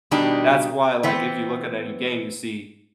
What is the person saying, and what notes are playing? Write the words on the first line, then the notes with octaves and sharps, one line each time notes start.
That's why, like, if you look at any game, you see
B2 D#3 G3 D4 D#4
E3 B3 C4